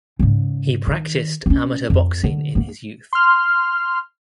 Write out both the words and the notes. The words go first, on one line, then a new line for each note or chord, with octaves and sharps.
He practised amateur boxing in his youth.
G#2 C#3
D#3
C#4 D4
F2
D3
A#3 B3
C6 F6